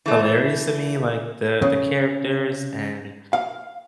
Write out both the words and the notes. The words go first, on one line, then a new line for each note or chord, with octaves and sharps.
hilarious to me, like the the characters and,
E3 A3
C#3
F5